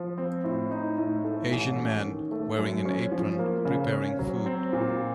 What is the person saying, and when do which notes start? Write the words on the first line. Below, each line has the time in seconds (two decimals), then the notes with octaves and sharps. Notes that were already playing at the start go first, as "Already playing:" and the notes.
Asian man, wearing an apron, preparing food.
Already playing: F3
0.18 C4
0.44 A2
0.71 D#4
0.98 A2
1.25 A3
1.52 A1
1.79 C#4
2.05 D#3
2.31 A3
2.59 F#2
2.85 C#4
3.12 F3
3.39 A#3
3.65 C#3
3.93 C#4
4.19 F#3
4.46 C4
4.73 A#2